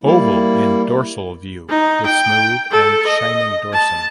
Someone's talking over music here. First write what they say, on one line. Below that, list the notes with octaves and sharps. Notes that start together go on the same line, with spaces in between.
Oval in dorsal view with smooth and shining dorsum.
G3 A#3 E4
D#4
G5
A4
D#5
A5